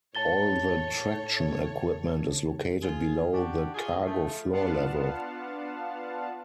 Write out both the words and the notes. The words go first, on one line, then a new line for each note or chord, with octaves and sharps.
All the traction equipment is located below the cargo floor level.
A2 C#5 A5 A6 G7
F4 G#4
D4 F#4 G4
F4 G#4
F3 A3
B3 D4 F4 F5 F#5 A5